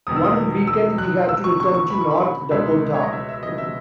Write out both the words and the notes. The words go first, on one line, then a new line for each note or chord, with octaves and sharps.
One weekend, he had to return to North Dakota.
E1 E2 D#3 D#6
E6
D#6
E6
F#6
E6
C#6
C#6
C#6
B5
C#6
B5
C#2 B2 G#3 E5
C#5
D#5
E5
E5
D#5
E5